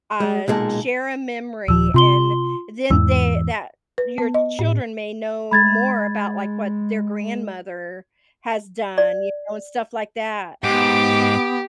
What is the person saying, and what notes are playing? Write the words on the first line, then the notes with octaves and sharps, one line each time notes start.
uh, s share a memory and then the that your children may know more about, like, what their grandmother has done, you know, and stuff like that.
G#3
B1 A#2 G#3 A4
D#1 F3 E6
C3 F4 C6 G7
E2 G#2 E3 E6
B4
B3
D#5
A2
G#3 B5 G#6 A6
D5
G#2 B3 G4 D6